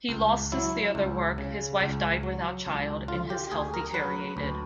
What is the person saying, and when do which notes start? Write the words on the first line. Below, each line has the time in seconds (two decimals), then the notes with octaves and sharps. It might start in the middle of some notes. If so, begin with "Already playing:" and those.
He lost his theater work, his wife died without child, and his health deteriorated.
0.09 C#2
0.52 F#3 E4
0.95 C#2
1.38 C#3
1.81 C#2
2.23 F#3
2.66 C#2
3.08 D3 F4
3.30 G4
3.52 D2 G#4
3.74 A#4
3.94 F#3 B4
4.37 D2